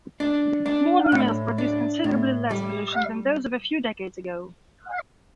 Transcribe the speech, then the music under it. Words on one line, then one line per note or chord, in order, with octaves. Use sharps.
Modern mills produce considerably less pollution than those of a few decades ago.
D4
D4
A2
D4
A2
G3